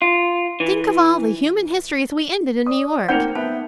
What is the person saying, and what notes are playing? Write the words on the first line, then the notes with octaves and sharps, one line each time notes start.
Think of all the human histories we ended in New York!...
F4
E3
D5 D#6
A#3 C4 D#4 A#4 F#5 G6 C#7 F7
B3 E5 A5